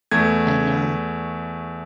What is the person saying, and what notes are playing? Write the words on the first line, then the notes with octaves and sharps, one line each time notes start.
I know.
E2 A3 G#6